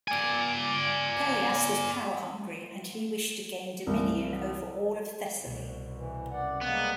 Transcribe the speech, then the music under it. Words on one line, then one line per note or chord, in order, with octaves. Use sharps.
Pelias was power-hungry and he wished to gain dominion over all of Thessaly.
D5 G#5
C2 E3 A#4
C2 B2
E3
F#2 D5 F#5
G3 G#3 A#3 B3